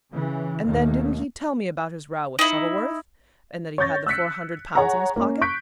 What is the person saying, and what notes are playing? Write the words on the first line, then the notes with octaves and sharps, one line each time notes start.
And then, didn't he tell me about his row with Shuttleworth, and that he had the four hundred pounds in his pocket.
C#3 E3
D#2 B2 D#3 A3 A#3
D#4 E4
C#5 C#6 G6 A6 A#6
E6 F#6 B6 C#7
G#4 C#5 F#5 G#5 A#5
A#3 C#4
C#6 F#6 G6 B6 D7